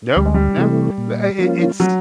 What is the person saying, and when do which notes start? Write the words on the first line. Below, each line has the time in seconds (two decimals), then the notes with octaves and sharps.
No, no. But, I I it it's
0.16 D2 G3
0.25 G#3
0.34 G3
0.57 C3 E3 A3
0.98 A#2
1.38 F3 A#3 C#4 F4
1.80 F#3